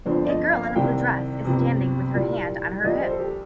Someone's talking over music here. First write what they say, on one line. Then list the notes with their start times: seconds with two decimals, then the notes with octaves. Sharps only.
A girl in a blue dress is standing with her hand on her hip.
0.05 G1 F2 D3 F3 C5
0.25 D5
0.29 D#5
0.52 F5
0.76 C2 C3 D#3 G3 G5
1.45 G1 F2 C3
2.15 C2 A#2 G3
2.84 A#1 A#2 G3 D#5
3.01 C5
3.11 A4
3.19 G4